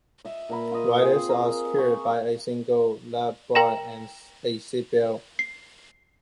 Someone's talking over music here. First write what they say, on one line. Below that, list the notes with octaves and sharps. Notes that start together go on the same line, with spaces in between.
Riders are secured by a single lap bar and a seat belt.
D#5 E5
A#2 A#3 A#4 B5
F4 D#5
C4 G#4 C5
A#4 F5
C#6
A#4 G5 A#5 A#6 E7
C7